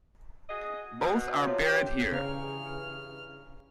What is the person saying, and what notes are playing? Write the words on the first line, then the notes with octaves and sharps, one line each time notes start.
Both are buried here.
F#4 G#4 D#5
B2
C3 F3 C#5
G4
G2 C#3 E3 G#4 C#5 F5 A#5 F6